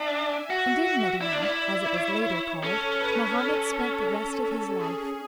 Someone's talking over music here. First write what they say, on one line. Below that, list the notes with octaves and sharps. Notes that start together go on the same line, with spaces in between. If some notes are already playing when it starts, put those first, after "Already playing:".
And in Medinah, as it was later called, Mohammed spent the rest of his life.
Already playing: D4 E5 G#5
F#4
E4 D5
D4
E4
C#5
C#4 A4
B4
A4
G#4